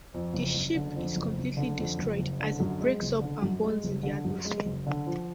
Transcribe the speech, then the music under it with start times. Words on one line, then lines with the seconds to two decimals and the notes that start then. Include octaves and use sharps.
The ship is completely destroyed as it breaks up and burns in the atmosphere.
0.14 F2
0.34 F#1
0.55 F#1
0.75 D3
0.96 F2
1.16 F#1
1.37 F#1
1.57 D3
1.78 F2
1.98 F#1
2.19 F#1
2.40 D3
2.60 F#2
2.81 G#3
3.02 F#1
3.21 D3
3.42 F#2
3.63 G#3
3.84 F#1
4.03 D3
4.25 F#2
4.45 G#3
4.65 F#1
4.87 D3
5.07 F3